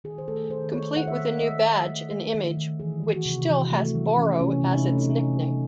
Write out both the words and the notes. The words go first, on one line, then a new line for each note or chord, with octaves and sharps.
Complete with a new badge and image which still has Boro as its nickname.
D#3 G#4
C5
A3 A4
D#3 C5
A3 C#5
D#3 F#5
E5
A3
D#5
A3 E5
D#3 E5
A3
A3
D#3
D#3
E3 G#4
E3
F#4
C3
E3
A3
E3
E3 C#4
C3 C#4
C3 E4
D#4
A3 C#4
D#4
C3
C3